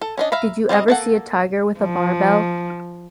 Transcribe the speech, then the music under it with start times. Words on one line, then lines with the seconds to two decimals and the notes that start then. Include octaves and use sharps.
Did you ever see a tiger with a barbell?
0.01 A4
0.17 C#4 D4 D#5
0.32 E5 F5 A#5 B5
0.69 G3 C4 D4 D#5
0.88 A#3 A4 F#5
1.79 F3